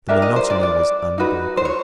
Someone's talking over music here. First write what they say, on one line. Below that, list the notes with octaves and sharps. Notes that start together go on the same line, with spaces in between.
The monotony was unbroken.
D4 G4 A#4 E5
D#5
C5
D5
D5
D#4 F#4 B4
C5
C#5